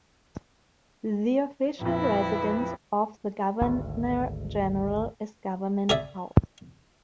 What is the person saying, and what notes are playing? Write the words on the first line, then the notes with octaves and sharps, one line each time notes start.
The official residence of the Governor-General is Government House.
A#1 F2 F3 E4 B4
G#1 D2
G#4 D5 E5